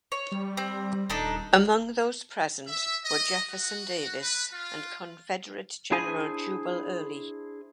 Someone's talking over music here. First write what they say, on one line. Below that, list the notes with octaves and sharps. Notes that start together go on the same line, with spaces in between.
Among those present were Jefferson Davis and Confederate General Jubal Early.
C#5
G3
C4
D#1 D4 D#4 A4
E5
D#5
F#4
B4
F4
D4 E4 G#4 C5 G#5